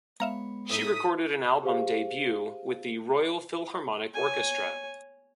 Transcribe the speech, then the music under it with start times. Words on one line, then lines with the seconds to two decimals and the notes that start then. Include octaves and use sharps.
She recorded an album "Debut" with the Royal Philharmonic Orchestra.
0.20 G#3 B3 C#5 E5 F5 A#5 B5
0.70 A2 A3 D#4 D#6 B6
1.63 G4 G#4 C5 F5
4.14 C#5 G#5